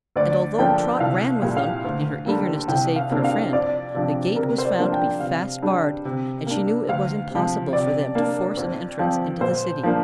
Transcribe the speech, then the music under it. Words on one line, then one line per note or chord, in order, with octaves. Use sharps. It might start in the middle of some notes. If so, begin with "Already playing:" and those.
And, although Trot ran with them, in her eagerness to save her friend, the gate was found to be fast barred and she knew it was impossible for them to force an entrance into the City.
D2 D5
D3 F3 A#3 D4 G5
C2 F5
A#2 G3
F5
D2
D3 G3 A#3
C2 G5
F5
C3 A#3 D4
F5
F2 D5
C3 F3 D4
C3 A#4
C5
D5
F3 A#3 D4
G5
C3 F5
G3 D4
C3
A#3 D4
D2 F5
C3 F3
C3 D5
A#3 D4
F2
F3 C4
A#2 C5
F3 A#3 D4